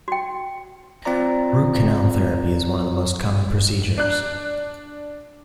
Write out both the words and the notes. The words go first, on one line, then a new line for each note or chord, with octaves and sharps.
Root canal therapy is one of the most common procedures.
F#4 G5
C4 F4 D5 A#5
D4 F#6